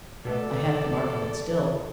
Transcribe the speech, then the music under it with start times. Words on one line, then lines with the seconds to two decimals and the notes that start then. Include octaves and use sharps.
I have the mark of it still.
0.25 B2 A3 B3 A4 D5